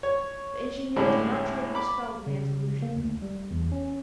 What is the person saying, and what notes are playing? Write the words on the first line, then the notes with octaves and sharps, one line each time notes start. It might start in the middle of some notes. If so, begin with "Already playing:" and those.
The engineer did not try to dispel the man's illusion.
C#5
A2 D3 G3 G#3 C#4 B5
B5 D6
C#3
A#3
D2
G3
E2
C#4